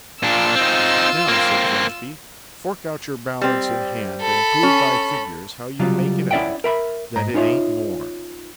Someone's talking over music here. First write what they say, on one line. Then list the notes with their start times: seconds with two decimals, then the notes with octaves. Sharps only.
'Now!' said Fledgeby. 'Fork out your balance in hand, and prove by figures how you make it out that it ain't more.
0.23 A#2 D4 F4 E6
0.55 C4 D#4
1.28 A#3 C4
3.42 G3 C4
4.20 A4 B5
4.63 C#4
5.79 C#3 F#3 G3 F4
6.31 C#4 E4 D5 E5 F#5 G5
6.64 A#4 E5 B5
7.16 G#2 A#5
7.34 C#4 D#4 F4 C#5 E5